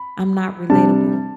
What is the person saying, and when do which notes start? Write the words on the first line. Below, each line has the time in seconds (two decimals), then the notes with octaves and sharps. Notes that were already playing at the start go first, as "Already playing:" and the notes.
I'm not relatable.
Already playing: B5
0.70 C3 G3 D4 A5